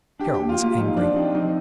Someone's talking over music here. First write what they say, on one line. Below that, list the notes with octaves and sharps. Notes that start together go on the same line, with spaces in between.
Carol was angry.
D4 G4
G4
A#3
F4
A#3
F4
F3 D#4
F3 D4
C4 D#4
F3 D#4